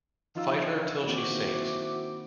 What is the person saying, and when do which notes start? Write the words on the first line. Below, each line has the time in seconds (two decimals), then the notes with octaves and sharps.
Fight her till she sinks.
0.35 F3 D#4 F4 E6
1.07 D#3 A#3 C4 E4 F#4 C5 D6